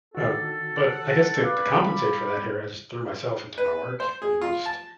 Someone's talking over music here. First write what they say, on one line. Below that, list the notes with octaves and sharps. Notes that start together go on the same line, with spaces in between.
Um, but, I guess to to compensate for that here I just threw myself into my work, you know, I just
D#3 D4 F#4 A4
F#3 F#5
B4 D5 F5 B5
G3
B4
C5
G#4
F4
A5